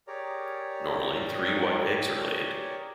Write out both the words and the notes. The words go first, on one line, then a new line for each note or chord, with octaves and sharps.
Normally, three white eggs are laid.
G4 G#4 A#4 C#5 D5 A#5